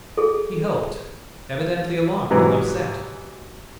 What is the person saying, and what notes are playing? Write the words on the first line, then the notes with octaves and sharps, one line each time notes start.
He helped, evidently alarmed and upset.
G#4 A4
G#2 C3 E3 F#3